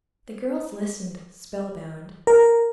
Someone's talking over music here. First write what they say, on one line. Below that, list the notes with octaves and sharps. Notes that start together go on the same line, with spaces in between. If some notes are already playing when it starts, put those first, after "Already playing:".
The girls listened, spellbound.
A#4